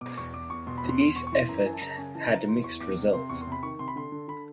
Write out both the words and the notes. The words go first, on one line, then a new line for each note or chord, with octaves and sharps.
These efforts had mixed results.
B2 D6
E2 C#6
E2 D6
E2 C#6
B2 C6
B5
E2
C6
E2 C6
B2 C#6
C#6
E3 C6
F#2 A#5
F#2 G#5
A5
C#3 A#5
A5
C#3 G#5
E3 A5
E3 A#5
E3 C6
E2 C#6
E2 D6
C3
C3 C6
E2 C#6
C6
C3
B5
D#3 C#6
C3 C6
B5
D3 C6
D3
D3 B5